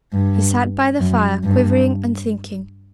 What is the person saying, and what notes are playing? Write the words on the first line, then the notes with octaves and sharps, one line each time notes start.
He sat by the fire quivering and thinking.
G2
F#2
G2